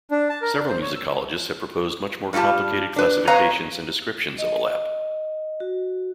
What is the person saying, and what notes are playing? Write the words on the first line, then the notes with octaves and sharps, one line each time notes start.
Several musicologists have proposed much more complicated classifications and descriptions of alap.
D4
A5
A#4
D4
C5
C#5
E6
G2 G3 F4 G4 A5
D4 B4
C4 B4 C#5 D#5 F5 A#5
D#5
F#4